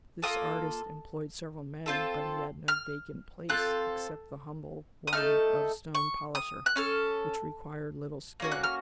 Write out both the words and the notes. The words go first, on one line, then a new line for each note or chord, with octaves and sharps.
This artist employed several men, but he had no vacant place except the humble one of stone polisher, which required little skill.
A#3 F4 A4 D#6
C4 F4 A4
F6
C4 F4 A4 F#6
D#6
A3 D#4 A4 F6
C#6
D#6
F#6
C#4 A4 F6
A#3 C#4 F#4
F#6
F6